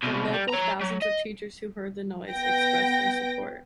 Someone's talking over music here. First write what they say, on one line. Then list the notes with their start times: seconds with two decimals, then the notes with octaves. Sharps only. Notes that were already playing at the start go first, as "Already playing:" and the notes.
The local thousands of teachers who heard the noise expressed their support.
0.03 C2 B2
0.33 G3
0.49 C#5 A#5
0.81 F#3
1.02 D#5
2.32 B3 G5 A#6